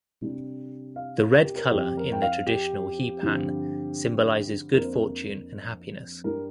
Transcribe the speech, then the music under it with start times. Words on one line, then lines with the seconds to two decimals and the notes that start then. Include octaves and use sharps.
The red color in the traditional hee pan symbolizes good fortune and happiness.
0.21 C3 G3 D4
0.96 F5
1.34 A#4
1.44 G4
1.56 A#4
1.71 F2 F3 C4 G4
1.97 A#4
2.12 G5
2.22 F5
2.47 G4
3.23 G2 D3 F3 C4
4.73 F2 F3 A#3 D4 A#4
4.82 C5
4.93 A#4
6.24 G2 G3 D4 A#4